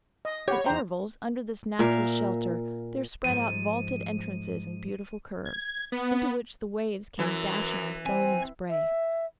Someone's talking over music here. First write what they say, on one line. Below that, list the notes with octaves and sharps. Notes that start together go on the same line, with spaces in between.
At intervals, under this natural shelter, there spread out vaulted entrances in beautiful curves, into which the waves came dashing with foam and spray.
D#5
G4 C#5 F#5 B5
E2 C5 G5 A#5
A#2 A#4 E5 F5
G#2 F3 D#7
G#6
B3
F#2 E3
C4 G#5
E5